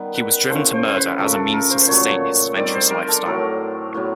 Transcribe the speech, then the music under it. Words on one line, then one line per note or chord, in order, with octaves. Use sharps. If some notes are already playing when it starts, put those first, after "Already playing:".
He was driven to murder as a means to sustain his adventurous lifestyle.
Already playing: D#3 G3 B3
B4
C#3 E3 A3 C5
C5
C5
B4
C#3 F3 A3 A#4
A4
A#4
C5
C5
A#2 F#3 A3 C#5
D#3 G3 C4 D5
C5
A#4
A4
A2 F#3 A3 A#4
A2 F#3 B3